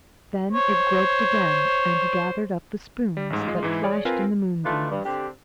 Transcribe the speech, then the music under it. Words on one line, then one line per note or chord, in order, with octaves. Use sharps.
Then it groped again, and gathered up the spoons, that flashed in the moonbeams.
C5 C#5
G3
A1 G#2
G#3 F4
G#2 E3 E4
G#4 C#5 D5
C4 F4 A#4 B4 G#5
E3 A3 D4 D#4 F4 B4
G2
D3 C4 D4 G4